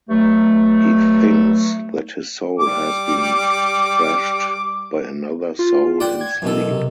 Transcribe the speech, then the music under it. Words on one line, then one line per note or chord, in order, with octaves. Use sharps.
He thinks that his soul has been thrashed by another soul in sleep.
G2 F#3 A3
G3 D6
F4
D5 F#5 G5
G#6
F#2 B2 E3 A4
C3